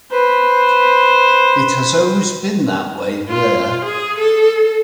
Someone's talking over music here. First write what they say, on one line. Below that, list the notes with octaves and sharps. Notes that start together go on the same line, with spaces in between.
It has always been that way there.
B4 C5
F4
G#4
A4